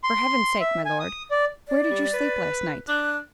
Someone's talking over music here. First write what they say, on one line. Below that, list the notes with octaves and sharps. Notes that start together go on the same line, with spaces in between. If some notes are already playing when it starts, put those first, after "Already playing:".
"For Heaven's sake, my Lord, where did you sleep last night?"
C6
E5
G#5
D#6
D5
D5
G3
B4
D4 F#6